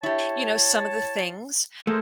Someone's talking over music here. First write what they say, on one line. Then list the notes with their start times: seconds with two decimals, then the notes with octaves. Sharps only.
you know, some of the things
0.03 E4 G4 C#5 A5
1.87 A3 G#4 A#4 C5